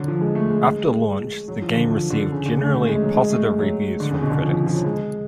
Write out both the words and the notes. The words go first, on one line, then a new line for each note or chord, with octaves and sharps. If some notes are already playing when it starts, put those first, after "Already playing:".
After launch, the game received generally positive reviews from critics.
Already playing: D3 F#3
F3
G#3
A3
G#3
F#3
F3
D3
F3
D3
C#3
D3
A3
A3
G#3
F#3
G#3
A3
F#3
D3
C#3
B2
D3
C#3
F3
F3
F3
F#3
G#3